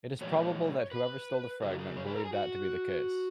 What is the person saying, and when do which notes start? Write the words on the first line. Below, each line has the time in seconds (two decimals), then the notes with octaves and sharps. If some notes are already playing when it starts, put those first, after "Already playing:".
It is probable that whoever stole the fragment believed that to be the case.
0.21 A#2 F3 G#3 C#5
0.92 B4
1.62 F#2 C#3 G#4
1.71 F#4
1.79 G#4
1.97 C#5
2.06 B4
2.16 A#4
2.24 G#4
2.33 F#4